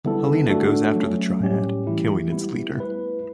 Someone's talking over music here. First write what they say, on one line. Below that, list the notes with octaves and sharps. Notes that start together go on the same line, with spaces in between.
Helena goes after the Triad, killing its leader.
D3 G3 B3 E4 A4
A3 D4 F#4 A4
F#3 A3 C#4
A2 G3 C#4 G4
E3 A3 E4 G4
G3 B3 E4 G4
A3 E4 B4